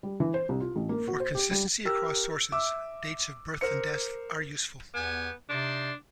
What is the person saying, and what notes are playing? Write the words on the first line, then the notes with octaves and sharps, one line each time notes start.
For consistency across sources, dates of birth and death are useful.
G3
E3
C5
C2
F4
A1
A#3
F#4
C5
G4
G3
G4 A#4 E6
E5 D6 E6
A#4 C5 C#7
E2 B3 G4 G#5
C3 D4 D#4 D5 C6